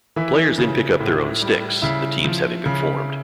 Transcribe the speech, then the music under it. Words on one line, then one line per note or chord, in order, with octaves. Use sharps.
Players then pick up their own sticks, the teams having been formed.
E3 E4
C#3
A2
G3
C#3 E4
F3
C#3